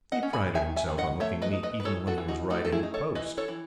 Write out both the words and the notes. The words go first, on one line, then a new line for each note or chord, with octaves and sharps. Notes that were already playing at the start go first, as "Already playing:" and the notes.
He prided himself on looking neat even when he was riding post.
D#5 F#5
C#4
G#5 B5
D#3 E5 G#5
E5 G#5
D#3
D#5 F#5
A3 C#5 E5
B4 D#5
D#4
B4 D#5
B4
E3 A4 C#5
F#4 A4
E3
D#4 F#4
A3 D#4 F#4
A4
E4 G#4
D#4
A4 C#5
E3 B4 D#5
A4 C#5
E3